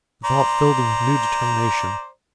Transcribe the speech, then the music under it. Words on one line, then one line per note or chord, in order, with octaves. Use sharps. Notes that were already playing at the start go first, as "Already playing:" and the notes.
The thought filled them with new determination.
C5 D5 A#5